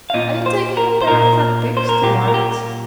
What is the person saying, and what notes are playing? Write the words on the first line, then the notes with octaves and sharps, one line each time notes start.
"Are you taking a pair of fat pigs to market?"
F5
A#2 A#3 F4 D#5
C5
A#4
C5
A#2 A#3 F4 A#4
C5
A#4
A#2 A#3 F4 G4
A#4
G4